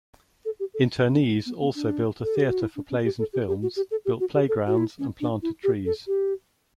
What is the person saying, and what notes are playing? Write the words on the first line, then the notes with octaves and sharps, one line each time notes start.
Internees also built a theater for plays and films, built playgrounds, and planted trees.
A4
G4
A4
C#4
B3
B3
D4
A4
G4
F#4
E4
D4
C#4
G4
A4
G4
G4
F#4
G4
A4
G4
F#4
G4
A4
F#4
E4
C#4
D4
E4
G4
A4
G4